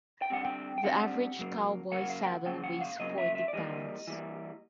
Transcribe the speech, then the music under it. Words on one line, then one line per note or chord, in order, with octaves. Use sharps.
The average cowboy saddle weighs forty pounds.
G5
D3 G3 C4 F#5
G5
G5
D3 G3 C4 F#5
C#3 F#3 A#3
C#3 F#3 A#3 F#5
F5
G5
F#5
C#3 F#3 A#3 G5
F#5
F5
C#3 F#3 A#3 D#5
E5
E5
D5
E3 G3 A#3 D#5
E3 G3 A#3